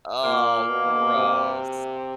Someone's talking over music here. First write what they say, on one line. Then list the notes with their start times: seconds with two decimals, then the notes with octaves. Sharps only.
Oh, gross.
0.23 A#2 A#3
0.69 B2
1.15 C3